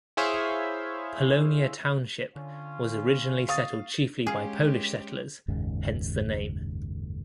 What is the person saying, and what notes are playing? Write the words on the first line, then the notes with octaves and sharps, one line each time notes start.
Polonia Township was originally settled chiefly by Polish settlers, hence the name.
E4 G#4 C5 C#5 E5 F5
D3 C#4 F4
F5 C#6 D#6 A6
G#3 C#4 G4 G#4 F5
F#1 D#2 G#2 C#3